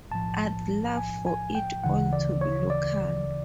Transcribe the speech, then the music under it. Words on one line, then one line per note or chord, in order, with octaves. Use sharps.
I'd love for it all to be local.
B1 A2 F3 A5
G#5
G#5
G5
D2 C#3 E3 F#5
D5
C#5
D5